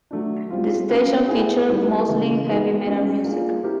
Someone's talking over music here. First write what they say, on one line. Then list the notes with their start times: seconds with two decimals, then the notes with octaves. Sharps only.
The station featured mostly heavy metal music.
0.11 F#3 A3 D4
0.50 G3 C4 F4
0.89 A#3 C#4 F#4 B4
1.28 B3 E4 G#4
1.68 D#3 G3 B3 E4
2.07 C#3 E3 G#3
2.46 G#3 B3 D#4 F#4
2.85 G#3 C#4 F#4
3.24 A#3 D4 F4 G#4
3.63 C4 E4 G4 A#4